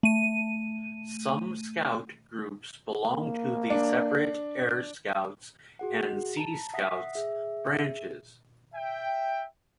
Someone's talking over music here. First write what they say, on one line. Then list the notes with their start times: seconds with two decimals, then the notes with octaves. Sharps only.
Some Scout Groups belong to separate Air Scouts and Sea Scouts branches.
0.03 A3 D#7
3.05 A#3
3.70 D4
5.79 F#4 G#4 F#5
6.37 A5 A#5
6.73 E5 F#5 D#6 A#6 B6
7.15 G#4 E5
8.75 E5 G5